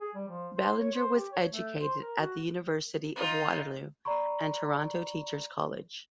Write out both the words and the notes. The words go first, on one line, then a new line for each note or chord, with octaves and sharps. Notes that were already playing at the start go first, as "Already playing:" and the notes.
Ballinger was educated at the University of Waterloo and Toronto Teacher's College.
G#4
G3
F3
C5
C#5
C5
G4
C#5
A3
C5
A#4
F#4
D#4 F4
D5 A#5 B5 C#6